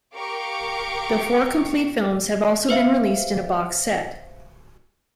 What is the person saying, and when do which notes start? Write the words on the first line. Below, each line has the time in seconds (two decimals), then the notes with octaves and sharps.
The four complete films have also been released in a box set.
0.15 G4 A#4 F5 G5 C#6 D6
2.69 B4 C5 E5 F5